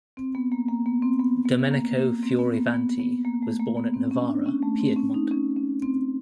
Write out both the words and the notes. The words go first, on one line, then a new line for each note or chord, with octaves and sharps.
Domenico Fioravanti was born at Novara, Piedmont.
C4
B3
A#3
A#3
B3
C4
B3
B3
A#3
A#3
C4
B3
A#3
B3
B3
A#3
A3
A#3
B3
C4
C#4
D4
C#4
A3
C4
C#4
D#4
C#4
C#4
C4